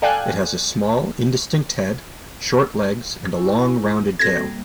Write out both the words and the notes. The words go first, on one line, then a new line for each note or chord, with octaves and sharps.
It has a small, indistinct head, short legs, and a long, rounded tail.
A4 D5 F5 G5 G#5 F#6
E4 G#5 C#6
C4 F#4 A4 G#6 A#6
G3 A#3